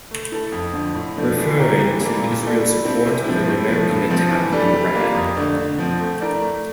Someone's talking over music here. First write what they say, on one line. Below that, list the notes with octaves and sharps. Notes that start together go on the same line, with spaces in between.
Referring to Israel's support of an American attack on Iran.
A3
E4 A4
F2
D3 F3
A2
F3 A3 D4
E3
A3 E4 G4 A#4
E3
G3 A#3 E4 A4
A#2
A3 E4 A4 D5
G3
C4 E4 A4
C3
F3 C4 E4
A2
F3 A3
G2
F3 C4
E3
G3 D4 A4
G3
A#3 F4
F2
D3 A3 D4
D3
F3 C4
A3
E4 A#4 D5
A3